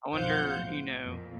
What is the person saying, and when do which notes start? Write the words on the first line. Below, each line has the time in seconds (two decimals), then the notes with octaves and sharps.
I wonder, you know
0.14 B1 F2 C5 F5 F#5 G6
0.59 A2
1.05 F2 A#2